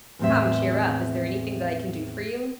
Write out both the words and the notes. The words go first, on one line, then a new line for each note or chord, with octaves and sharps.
"Come, cheer up; is there anything that I can do for you?"
E2 A2 C4 G#4 E5